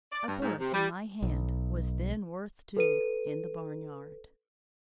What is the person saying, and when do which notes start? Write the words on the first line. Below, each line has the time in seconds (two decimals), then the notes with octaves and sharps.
A bird in my hand was then worth two in the--barnyard.
0.12 D5
0.26 G2
0.40 G#2
0.58 C3
0.74 G3
1.22 B1
2.77 A4 B4 D#7